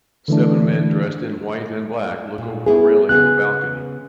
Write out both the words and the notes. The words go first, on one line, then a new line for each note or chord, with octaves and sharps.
Seven men dressed in white and black look over the railing of a balcony.
D3 E3 A3 D4
A#2
B3 E4 G#4
C#3 B3 G#4 F#6